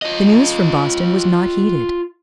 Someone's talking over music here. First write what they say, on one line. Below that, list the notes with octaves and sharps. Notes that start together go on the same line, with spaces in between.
The news from Boston was not heeded.
F4 D#5